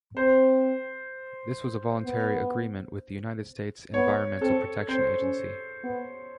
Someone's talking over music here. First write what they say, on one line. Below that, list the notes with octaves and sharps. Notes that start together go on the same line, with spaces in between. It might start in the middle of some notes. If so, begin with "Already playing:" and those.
This was a voluntary agreement with the United States Environmental Protection Agency.
C4 C5
B3
B3 C#5
C4 A4
C4 C5
C#4
B3